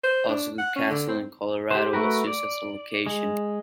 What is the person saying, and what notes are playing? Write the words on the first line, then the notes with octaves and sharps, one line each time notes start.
Osgood Castle in Colorado was used as a location.
C5
D4
F#5
C#4
D3
C4
G4 C5
A3 F#4 A#4 B4
D5
G#3